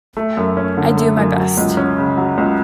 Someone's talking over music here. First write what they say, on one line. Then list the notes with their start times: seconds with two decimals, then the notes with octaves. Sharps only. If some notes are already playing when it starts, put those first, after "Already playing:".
I do my best.
0.17 A3
0.37 F#2
0.57 C#4
0.77 D3
0.97 A3
1.17 F#2
1.37 F#3
1.57 C#2
1.77 C#4
1.98 C#3
2.17 F#3
2.38 C#2